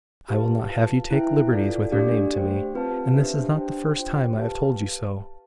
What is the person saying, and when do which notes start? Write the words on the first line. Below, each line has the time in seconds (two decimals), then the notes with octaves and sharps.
I will not have you take liberties with her name to me; and this is not the first time I have told you so.
0.29 G4 B4 F5 A5
0.70 F4 B4 F5 A5
1.11 E4 B4 E5 G5
1.51 F4 A4 D5 F5
1.92 A3 D4 G4 D5 F5
2.33 G4 C5 G5
2.74 C4 F4 B4 F5 A5
3.14 D4 G4 C5 E5
3.55 D4 G4 C5 G5
3.96 F4 C5 G5
4.37 G4 B4 F5 A5